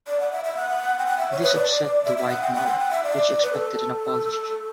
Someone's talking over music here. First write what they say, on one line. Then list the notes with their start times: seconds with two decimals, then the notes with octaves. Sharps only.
This upset the white mob, which expected an apology.
0.07 D5
0.20 F#5
0.32 E5
0.44 E5
0.56 F#5
0.99 G5
1.06 F#5
1.18 E5
1.31 C#5
1.43 B4
1.55 D5
2.05 E5
2.18 E5
2.29 F#5
2.42 G5
2.55 F#5
2.67 G5
2.79 F#5
2.91 E5
3.04 D5
3.43 B4
3.53 A4